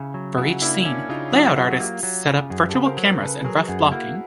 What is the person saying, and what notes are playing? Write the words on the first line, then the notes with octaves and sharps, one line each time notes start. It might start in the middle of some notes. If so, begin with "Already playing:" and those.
For each scene, layout artists set up virtual cameras and rough blocking.
Already playing: C#3 E4
F#3
C#3 E4 F#4
A#3 D4 E4
C#4 D4 E4
C#3 D#4 F4
F#3 E4 F#4
F#3 F#4 G#4
A#3 F4 G4
F#3
C#3
F#2 F#4 G#4
G4 A4
C#3
A#4 C5
F#3
A#4 C5
C#3 A4 B4
F#3 G#4 A#4
F#2 F#4 G#4
A#3 E4 F#4